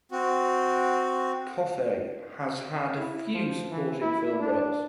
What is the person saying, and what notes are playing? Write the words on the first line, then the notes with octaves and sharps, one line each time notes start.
Coffey has had a few supporting film roles.
C4 F#4
E4
F3
E3
E4
D4